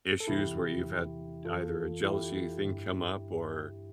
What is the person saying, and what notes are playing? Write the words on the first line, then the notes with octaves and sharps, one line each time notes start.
issues, where you've had either a jealousy thing come up or,
A4
E2 C3 E3 E4 G4
F2 E3 F4 A4
E4 G4
G2 D3